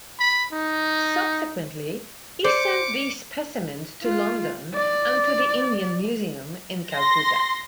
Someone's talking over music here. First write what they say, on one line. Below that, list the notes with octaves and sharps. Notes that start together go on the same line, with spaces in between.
Subsequently he sent these specimens to London and to the Indian Museum in Calcutta.
B5
D#4
C5 D5 D6 C#7
F4
D5
C6 A#6